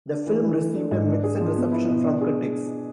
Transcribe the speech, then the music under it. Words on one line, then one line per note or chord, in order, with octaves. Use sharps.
The film received a mixed reception from critics.
D4
E3
E3
A3
D4
G#2
D4
G#4
F3
B3
E4
B2
D4
G#4